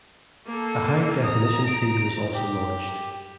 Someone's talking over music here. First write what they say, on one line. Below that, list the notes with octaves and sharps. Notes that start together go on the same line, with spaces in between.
A high definition feed was also launched.
A#3 A4
A#5 D#6
D7
G4